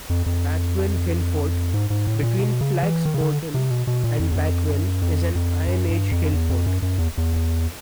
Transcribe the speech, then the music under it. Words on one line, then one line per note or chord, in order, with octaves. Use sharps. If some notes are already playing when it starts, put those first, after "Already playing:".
Backwell Hillfort between Flax Bourton and Backwell is an iron age hill fort.
F2
F2
G#2
G#2
A2
A#2
B2
C#3
E3
D#3
C#3
D3
C3
B2
B2
A#2
F2
E2
F2
F#2
F2
F2
F#2
G2
F2
E2
F2
F#2
F#2
E2
E2